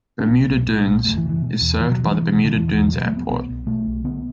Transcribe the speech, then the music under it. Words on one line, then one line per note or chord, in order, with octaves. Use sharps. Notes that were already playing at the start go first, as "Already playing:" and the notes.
Bermuda Dunes is served by the Bermuda Dunes Airport.
D4
B1 B3
B1
A2
B1
F#1 A3
E3
F#1
E3
B2
E2
B2 E3
F#3
B2 E3
B2
B2
D3
E2 E3
E2 E3
E3
B2 F#3
A3
E1
B3
B1 B3
B1
B2 A3
B1
D3 B3